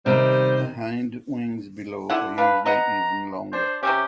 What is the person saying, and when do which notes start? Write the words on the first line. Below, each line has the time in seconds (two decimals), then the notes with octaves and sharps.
The hind wings below are usually even longer.
0.06 C3 D#3 G3 D#4 C5
2.10 D3 E4 F#5
2.38 D4 B4 F5
2.66 B4 D#5 F#5 A#5
3.53 D4 C5
3.83 C3 C4 C#4 G4